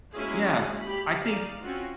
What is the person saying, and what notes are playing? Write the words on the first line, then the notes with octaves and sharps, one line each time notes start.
Yeah. I think
G#3 A#3 C#4 E4 F#4 G#4
G4 B5
D#4 D5 F5
C4 C#4 F4 F#4